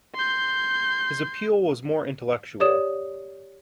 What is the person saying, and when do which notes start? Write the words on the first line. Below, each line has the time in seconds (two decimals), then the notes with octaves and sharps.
His appeal was more intellectual.
0.15 C6 G6
2.60 G4 C#5 D5 D#6 E7